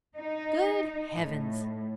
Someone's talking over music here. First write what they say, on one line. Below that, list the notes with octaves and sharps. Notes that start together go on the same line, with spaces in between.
"Good Heavens!"
D#4
A2